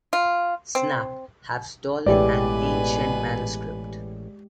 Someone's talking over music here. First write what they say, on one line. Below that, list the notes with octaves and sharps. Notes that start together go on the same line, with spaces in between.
Snap, have stolen an ancient manuscript.
F4
C4
A1 B2 E3 G#3 G4 B4 D5 G#5